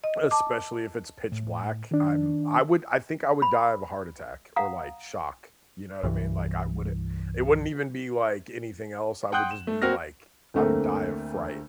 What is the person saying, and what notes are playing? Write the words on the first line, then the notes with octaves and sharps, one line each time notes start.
especially if it's pitch black. I'm I would I think I would die of a heart attack or, like, shock. You know what I mean? Like, I wouldn't it wouldn't even be like anything else, I would just be, like, I would die of fright
D#5
A5 D6
A2
D#3 D4
B5
F5 F#5 A#5 D#6
C2 G2 E3
F#5 G5 C6 D#6 F#6 G6
E7
A3
A#3 C4 F#4 F6 A#6
D2 D3 A3 A#3 C4